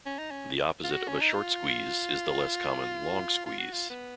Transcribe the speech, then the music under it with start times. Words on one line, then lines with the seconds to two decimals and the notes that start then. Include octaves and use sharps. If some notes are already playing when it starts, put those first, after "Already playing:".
The opposite of a short squeeze is the less common long squeeze.
0.06 C#4
0.19 D#4
0.31 C#4
0.84 F4
0.91 F#4
1.08 C#4
1.21 D#4
1.34 F4
3.46 F4
3.60 F#4
3.73 F4
3.90 B3